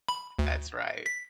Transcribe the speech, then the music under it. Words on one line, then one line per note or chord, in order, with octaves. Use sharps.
That's right.
B5
D2
B6